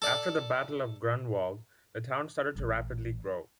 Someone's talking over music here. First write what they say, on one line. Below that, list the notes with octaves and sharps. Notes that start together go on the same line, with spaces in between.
After the Battle of Grunwald the town started to rapidly grow.
A4 D5 A5
A1 E3